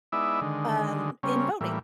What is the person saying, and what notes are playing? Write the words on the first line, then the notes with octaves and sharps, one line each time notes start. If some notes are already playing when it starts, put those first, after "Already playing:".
um, in voting.
G#3 B3 D#4 E4 D5 E5
D3 D#3 G#3
C#3 G3 A#3 C4 C#4
A2 E3 G3 A#3